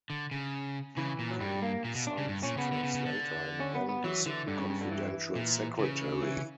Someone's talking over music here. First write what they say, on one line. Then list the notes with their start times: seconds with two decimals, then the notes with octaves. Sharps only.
He became Sun's translator and then his confidential secretary.
0.10 D3
0.31 C#3
0.97 C#3 E3
1.19 A#2
1.29 F#3
1.40 G2 G3
1.62 A#3
1.84 A#2
1.95 B2
2.07 D4
2.18 C#3
2.28 G2
2.43 A#2 C#4
2.57 C#3 B3
2.72 D3
2.83 C#3
2.95 C#3
3.06 D3
3.60 C#4
3.75 B3
3.89 B3
4.04 E3 F#3
4.26 D3 E3
4.47 G2 D3
4.59 C#3
4.70 C#3
4.81 D3
4.91 E3
5.35 A#2
5.79 C#3
6.23 E3